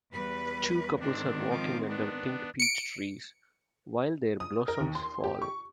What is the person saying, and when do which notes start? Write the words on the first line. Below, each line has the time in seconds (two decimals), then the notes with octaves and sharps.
Two couples are walking under pink peach trees, while their blossoms fall.
0.13 E2 G3 B4
1.00 G#2 D#3 C4 D4
1.50 F3 F4 D6
1.89 B3 D4
2.60 C#7 D7
4.40 D#6
4.68 A#4
4.80 D#2
4.95 C6
5.24 G4
5.42 C#6